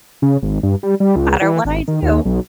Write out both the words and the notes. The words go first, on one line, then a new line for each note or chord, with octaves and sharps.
no matter what I do,”
C#3
G#1
G2
G3
G3
C#2
E3
G#1
D#3
D#2
B1